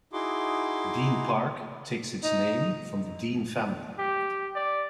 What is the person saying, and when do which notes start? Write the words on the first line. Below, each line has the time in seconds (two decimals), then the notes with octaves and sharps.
Dean Park takes its name from the Dean family.
0.13 D#4 E4 F#4 G#4 C6 D6
2.24 D#4
3.99 G4
4.55 D5